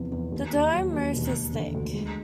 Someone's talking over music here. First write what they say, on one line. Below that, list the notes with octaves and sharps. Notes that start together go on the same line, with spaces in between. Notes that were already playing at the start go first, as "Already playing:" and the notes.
The dome roof is thick.
Already playing: E2 C3 F3
E2
D#2
D#2
F#3
D#2
E1
E1
D3
D2
G#3